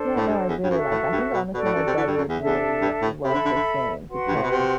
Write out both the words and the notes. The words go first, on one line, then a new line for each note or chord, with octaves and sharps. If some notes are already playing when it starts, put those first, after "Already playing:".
Yeah, no, I really like that, I think, honestly, my brother would really love this game because
Already playing: D4 A4 C5
A2
G2
E2
G2
F#2 F#4 A4 E5
A2
G2
B2
B2 F#4 A4 D5
A2
F#2
C3
E3
G2
F#2
E2
D4 A4 E5
E2
G2
A2
C3 A4 E5 B5
D3
D3
D3
F#4 B4 F#5 C6
G2
A2
B2
C3